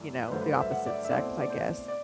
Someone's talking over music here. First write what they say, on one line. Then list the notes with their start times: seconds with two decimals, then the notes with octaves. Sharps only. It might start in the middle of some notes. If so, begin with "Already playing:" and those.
you know, the opposite sex, I guess.
Already playing: F#2 E3 A3 E4 D5
0.28 B4
0.32 G2 D3 F#3 A3 C5
0.41 B4
0.51 C5
0.61 E5
0.71 F#5
0.86 D5
0.91 E5
1.04 E5
1.10 B2 A3 C4 E4 D5
1.41 D5
1.50 C5
1.88 D5